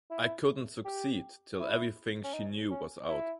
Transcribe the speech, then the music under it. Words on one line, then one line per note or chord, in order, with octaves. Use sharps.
I couldn’t succeed till everything she knew was out.
E4
G4
E4
C#4
D#4
C#4
E4